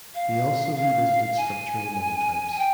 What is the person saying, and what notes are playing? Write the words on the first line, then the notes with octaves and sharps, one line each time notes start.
He also revisited structural monotypes.
F5
F5
G#5
G#5
G5